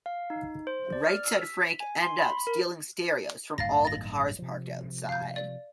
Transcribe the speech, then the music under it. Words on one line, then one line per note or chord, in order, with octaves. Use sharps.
Right Said Frank end up stealing stereos from all the cars parked outside.
F5
D#4
C5
D5
F6
E6
B6
G#5
C6
B5
A#4
D1 G1 D#3 F5 A6 A#6
A6 A#6
C3 F3
F5 G6
D5